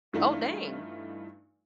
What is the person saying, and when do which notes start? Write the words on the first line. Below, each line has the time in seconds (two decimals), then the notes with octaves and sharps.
Oh, dang!
0.13 G2 E3 A3 D4 D#4 F4